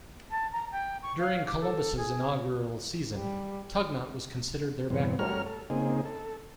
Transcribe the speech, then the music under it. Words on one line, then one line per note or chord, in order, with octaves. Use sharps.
During Columbus' inaugural season, Tugnutt was considered their backbone.
A5
A#5
G5
C#6
F5
D6
A4
G#4
G3
E2 G2 B2 C4
G3 A3 F#4 A#4 C#5 F6
A4
C#3 A#3 C4 D#4 G#4
A4